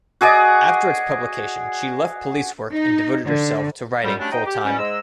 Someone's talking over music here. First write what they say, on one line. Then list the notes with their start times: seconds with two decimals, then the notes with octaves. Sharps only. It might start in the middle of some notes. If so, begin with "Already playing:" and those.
After its publication, she left police work and devoted herself to writing full-time.
0.21 F#4 G#4 D5 D#5
2.72 D#4
3.25 D3
4.04 F#2 A#2 G3
4.19 F#3 G3 A3 C#4 D4
4.31 B3 D#4 C5 D#5 G5
4.46 G4
4.64 B2 G3 C#4
4.78 G#2 G#3 E6